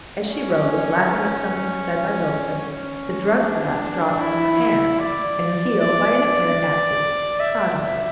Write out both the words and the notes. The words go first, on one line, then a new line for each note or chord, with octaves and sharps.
As she rose, laughing at something said by Wilson, the drug-glass dropped from her hand, and her heel, by an apparent accident, trod on it.
C#4
C#4
D4
E4
D5
D5
E5